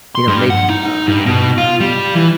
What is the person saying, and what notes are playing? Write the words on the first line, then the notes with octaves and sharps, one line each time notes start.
you know, maybe, um,
C6
G2
F#5
D#4
G2
B2
F4
G3
E3